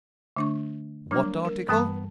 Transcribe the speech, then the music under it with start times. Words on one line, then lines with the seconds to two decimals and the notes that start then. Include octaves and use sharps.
"What article?"
0.36 D3 A3 D4 C#6
1.11 F#3 G3 A#3 D4
1.45 A#4
1.68 G2 E3 G3 B3 G5 A5